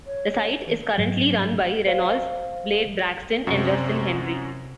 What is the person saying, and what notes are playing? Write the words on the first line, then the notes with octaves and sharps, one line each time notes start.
The site is currently run by Reynolds, Blade Braxton and Justin Henry.
C#5
E3
G#2 F#3
C5 F5
F#2 C3 F#4